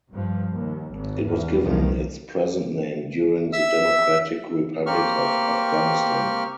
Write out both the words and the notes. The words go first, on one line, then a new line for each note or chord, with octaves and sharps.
It was given its present name during the Democratic Republic of Afghanistan.
G2 F3
D#2
G#1
E2
C2 D#3 F3
E5 E6
A#3 C4 G4 C#6 F6